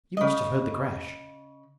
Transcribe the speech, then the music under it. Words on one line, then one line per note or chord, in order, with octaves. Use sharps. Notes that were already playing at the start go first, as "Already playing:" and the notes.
You must have heard the crash?'
C#3 D#5